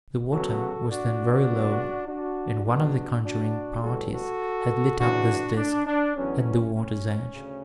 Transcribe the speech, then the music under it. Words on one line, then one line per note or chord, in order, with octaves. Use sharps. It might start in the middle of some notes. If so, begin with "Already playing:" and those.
The water was then very low, and one of the conjuring parties had lit up this disk at the water's edge.
C#2 C#3 F#3 B3 F#4 A4
D4 F#4
C#2 C#3 G3 B3
D4 F#4
F#2 C#3 F#3 B3 D4 F#4
D4 F#4
A2 E3 G3 B3 F#4 A4
F#4 A4
E2 C#3 E3 D4 F#4
D4
D4
E2 D3 F#3 B3 C#4
C#4
D2 C#3